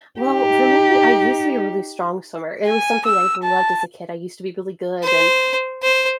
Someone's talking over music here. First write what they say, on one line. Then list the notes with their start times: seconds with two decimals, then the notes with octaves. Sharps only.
Well, for me, I used to be a really strong swimmer, it was something I loved as a kid. I used to be really good, and,
0.20 D#4 G4
2.66 G#5
3.05 E6
3.43 A5
5.03 C5
5.82 C5